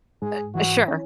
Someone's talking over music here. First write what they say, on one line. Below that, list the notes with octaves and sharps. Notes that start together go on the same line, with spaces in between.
Eh sure.
G#2 G#4
E3 F#4
C#4